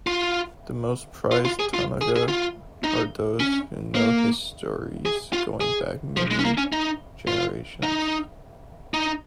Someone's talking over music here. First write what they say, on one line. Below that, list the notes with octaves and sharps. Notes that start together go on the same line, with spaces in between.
The most prized taonga are those with known histories going back many generations.
F4
F4
F4
G#4
F4
G#4
G#4
F4
D#4
C#4
A#3
G#4
F4
G#4
F3
G#3
C#4
A#3
C#4
D#4
F4
D#4
D#4